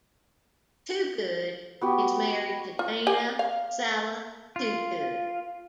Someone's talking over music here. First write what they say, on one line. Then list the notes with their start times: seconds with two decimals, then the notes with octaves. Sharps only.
Toogood is married to Dana Salih Toogood.
1.81 B3 F#4 G4
2.79 F4
3.07 G4 G#5
3.39 F5
4.56 F4